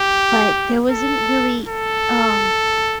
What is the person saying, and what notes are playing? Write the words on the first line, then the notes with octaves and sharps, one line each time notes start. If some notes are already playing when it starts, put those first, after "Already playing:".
but there wasn't really, um
Already playing: G4
A4
A4